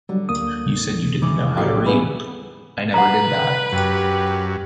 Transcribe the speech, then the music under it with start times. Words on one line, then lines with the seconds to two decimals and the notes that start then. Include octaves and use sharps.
You said you didn’t know how to read. I never did that.
0.09 D3 F#3 G3
0.29 D2 A#3 D#6
1.22 A2 G#4 D6
1.57 A#1 A2 A#3 F#4 G4 D5
1.85 G3 B3 E4 G#4 B4
2.94 B4 F#5 A#5
3.72 F#2 G4